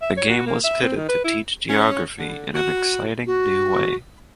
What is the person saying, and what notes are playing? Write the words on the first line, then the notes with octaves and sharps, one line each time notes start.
The game was pitted to teach geography in an "exciting new way".
E5
C#5
F#4
A#3
E5
C4
D#3
B4
E4
C#4
D3
F#4
F#4